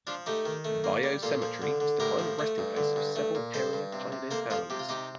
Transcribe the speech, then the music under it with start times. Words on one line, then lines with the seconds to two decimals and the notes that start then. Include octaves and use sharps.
Bayou Cemetery is the final resting place of several area pioneer families.
0.07 F3 D4 F4
0.26 A3 D#4 G4
0.46 D#3
0.65 A3
0.84 A#3
1.03 G3
1.23 A#2 F4 A4
1.42 F3
1.62 D3
1.80 D3
2.00 A2 G4 A#4
2.19 F3
2.39 A3
2.58 G2
2.77 D3
2.96 G2
3.16 A3
3.35 A#2
3.54 G2 A4 C5
3.73 G2
3.93 C3
4.12 C3
4.31 A#3 A4 C5
4.50 F3 F4 A4
4.70 C3 G4
4.79 F4
4.89 C3 D#4 G4